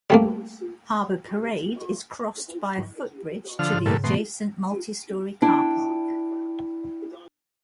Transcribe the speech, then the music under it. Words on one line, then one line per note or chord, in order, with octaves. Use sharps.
Harbour Parade is crossed by a footbridge to the adjacent multi-storey car park.
G3 A3 A#3
D3 F3 F6
G#2 C#3
G2 A#2 A3
B2 E3 A3 B3 C6
D4 E4 G5